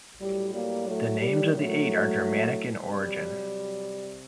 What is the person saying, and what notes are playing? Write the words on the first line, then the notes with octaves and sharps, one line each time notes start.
The names of the eight are Germanic in origin.
A2 F#3 G3
G3 A#3
F#3 A3
G3
F#3 A3
C3 F#3 G3